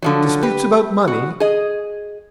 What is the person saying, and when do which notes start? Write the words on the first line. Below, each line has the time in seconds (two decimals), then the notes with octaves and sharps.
"Disputes about money?"
0.02 D3 F3 F#3
0.43 G4 B4
1.07 F#4
1.40 G#4 D#5